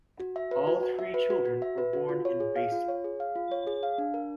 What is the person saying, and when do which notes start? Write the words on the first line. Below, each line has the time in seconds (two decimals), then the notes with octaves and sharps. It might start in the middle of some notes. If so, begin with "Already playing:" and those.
All three children were born in Basel.
0.20 F#4
0.36 E5
0.51 B4
0.67 F#4
0.83 F#4
0.99 E5
1.14 B4
1.30 F#4
1.45 F#4
1.62 E5
1.78 B4
1.93 F#4
2.09 F4
2.25 C#5
2.40 G#4
2.56 F5
2.72 F4
2.88 C#5
3.04 G#4
3.20 F5
3.36 F4
3.52 C#5
3.67 G#4
3.83 F5
3.98 D4
4.14 A#4